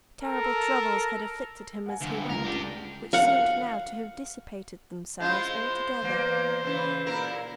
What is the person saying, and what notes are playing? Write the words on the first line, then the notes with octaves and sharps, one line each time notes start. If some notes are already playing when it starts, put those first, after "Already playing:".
Terrible troubles had afflicted him as he went, which seemed now to have dissipated themselves altogether.
A4 A#4
F#5 G#5
D2 G2
C#2 A#4
D4 G4
F5 F#5
G#3 E4 F4 C5
E2 A#3
C#3 E3 E4
A#2 E4 A#4